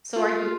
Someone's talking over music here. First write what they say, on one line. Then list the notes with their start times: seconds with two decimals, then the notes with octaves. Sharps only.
so are you
0.16 F4